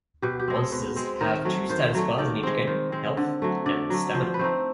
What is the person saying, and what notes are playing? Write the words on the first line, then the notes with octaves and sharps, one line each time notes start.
Monsters have two status bars in each game, health and stamina.
B2 G4
G4
G#3 C4
A4
B2
G#3 C4
D#3 A#4
F#3 A3
D#3 C5
F#3 A3
D#3 D5
G#3 C4
D#3
G#3 C4
D3
F#3 A3
D3 D5
F#3 A3
F3 C5
B4
A3 C4 D#4 C5